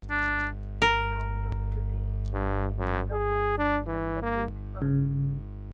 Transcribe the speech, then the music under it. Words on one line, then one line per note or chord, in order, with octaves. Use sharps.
The sound of today, in other words, a decade early.
D4
A#4
G2
F#2
G#4
D4
E3
A#3
C#3